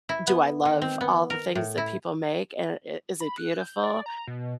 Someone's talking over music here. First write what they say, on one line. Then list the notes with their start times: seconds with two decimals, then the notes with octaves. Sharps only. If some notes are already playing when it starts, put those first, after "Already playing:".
do I love all the things that people make, and i is it beautiful?
0.09 E4
0.27 B3
0.65 D#3
0.82 C4
1.01 B3
1.30 A#4
1.55 A2
1.78 E4
3.20 B5
3.37 F#6
3.60 G6
3.83 D5
4.06 A#5
4.27 B2